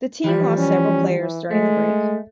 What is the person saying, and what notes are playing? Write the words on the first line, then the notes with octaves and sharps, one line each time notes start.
The team lost several players during the break.
E3 F3 G3 G4
C#4
E3
G#3 A3